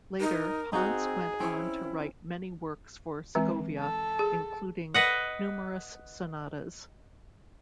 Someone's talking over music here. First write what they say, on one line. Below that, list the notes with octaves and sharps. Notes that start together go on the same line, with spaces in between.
Later Ponce went on to write many works for Segovia, including numerous sonatas.
D#4 A#4
C4 D#4 F#4 G#4
C4 C#4 E4
E3 G#3 C4
A4
G#4
B4 D#5 F#5